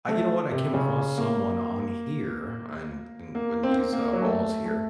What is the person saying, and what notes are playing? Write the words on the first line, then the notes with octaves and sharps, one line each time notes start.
I you know what, I came across someone on here, and and when these uh, walls here
A3
C3
C#3
A#3
A#3
C4
A#3
C4
A#3
F#3
A3
A3